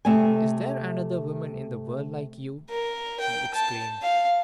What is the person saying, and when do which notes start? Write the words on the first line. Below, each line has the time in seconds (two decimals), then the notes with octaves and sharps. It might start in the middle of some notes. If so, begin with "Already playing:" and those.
"Is there another woman in the world like you!" he exclaimed.
0.05 C3 A3 G#5
2.70 A#4
3.20 G5
3.54 A5
4.02 F5